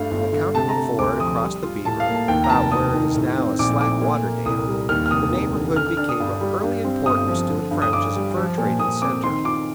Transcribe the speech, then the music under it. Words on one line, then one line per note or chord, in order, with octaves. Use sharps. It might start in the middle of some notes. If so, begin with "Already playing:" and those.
On account of a ford across the Beaver, about where is now a slack-water dam, the neighborhood became of early importance to the French as a fur-trading center.
Already playing: G2 A3 F5
G1
D3
C3 A5
A#5
A3
D2 D6
F3 D#6
G3
F4
A2 A5
F5
A#3
A5
D#2 G5
A#5
F1 A5
F1 D#6
D#3
A2
C4
A#1 D6
A3 D6
A#2
A#3
C2 D#6
G3
D#2 F6
F6
F1 D#6
F1
D3
D3 F6
F6
D4 F6
D#6
G2
G3
G2
C4
G1 D#6
F3
D3
G2
D#6
G2 D6
G3
F3
A#2
A#2 D#6
C4 D6
D#3 C6
F4 D6